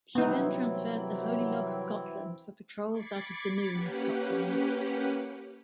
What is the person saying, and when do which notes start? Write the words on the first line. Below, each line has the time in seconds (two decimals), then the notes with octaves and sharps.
She then transferred to Holy Loch, Scotland, for patrols out of Dunoon, Scotland.
0.15 C2 E3 F#3 B3 C4 D#4 E4
2.93 B5 D6 G#6 A6 C7 C#7
3.72 A#3 C#4 G4 B4 F#5